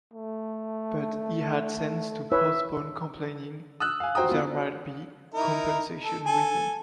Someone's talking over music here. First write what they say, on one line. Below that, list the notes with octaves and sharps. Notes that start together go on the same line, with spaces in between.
But he had sense to postpone complaining: there might be compensation within.
A3
E4 B4 C#5 E5
D#6 E6 F#6
F5 G#5
F#4 C5 G5 A#5 D#6
B3 F4 F#4
D#4 E4 A#4
A4
A4 G#5